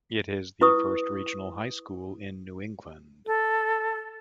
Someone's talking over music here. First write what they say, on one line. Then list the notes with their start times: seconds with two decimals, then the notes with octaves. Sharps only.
It is the first regional high school in New England.
0.61 E4 B4 C#6 D#6
3.26 A4